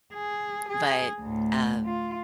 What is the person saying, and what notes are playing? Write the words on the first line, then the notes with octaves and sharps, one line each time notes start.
but, um,
G#4
G#4
D2 A2
F4